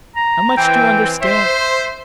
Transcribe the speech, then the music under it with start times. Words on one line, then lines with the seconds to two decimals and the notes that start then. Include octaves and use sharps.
How much do you understand?
0.16 A#5
0.57 E3 C4 G5
1.22 C5 E5